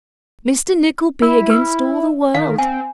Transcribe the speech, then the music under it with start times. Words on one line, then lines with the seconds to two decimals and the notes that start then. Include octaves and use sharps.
Mr Nickleby against all the world.
1.22 E4
1.50 E4 B4
2.34 D#3 F5
2.58 C4 G#5